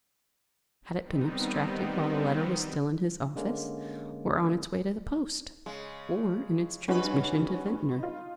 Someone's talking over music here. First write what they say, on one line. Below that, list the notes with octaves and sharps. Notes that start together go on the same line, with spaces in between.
Had it been abstracted while the letter was still in his office?--or on its way to the post?--or in its transmission to Ventnor?
D#3 G3 B3 C4 D#4
D3 G#3 A#3 C#4
C#3 G#3
G2 G3 C#4 F#4 B4
D#4 F4